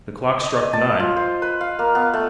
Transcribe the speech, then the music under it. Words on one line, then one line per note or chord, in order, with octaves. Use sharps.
The clock struck nine.
D#5
A5
F4
C5
B4
F5
A#3
B3
A3